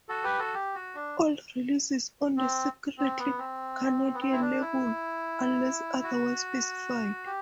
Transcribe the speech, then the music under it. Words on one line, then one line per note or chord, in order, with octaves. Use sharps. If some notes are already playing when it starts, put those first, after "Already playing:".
All releases on the Secretly Canadian label, unless otherwise specified.
F#4 A4
G4 B4
F#4 A4
G4
F#4
D4
C4
C4
B3
C4
B3
C4
E4
D4
E4
F#4
G4